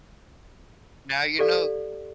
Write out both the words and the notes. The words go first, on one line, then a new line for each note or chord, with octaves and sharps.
Now you know.
G4 A4 D5 F5